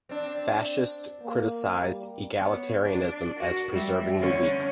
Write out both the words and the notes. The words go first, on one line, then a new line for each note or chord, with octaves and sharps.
Fascists criticized egalitarianism as preserving the weak.
C4 D4
A#3
G3
B3 C#5
D4
F#4 A#4
G3 E5
D3 C#4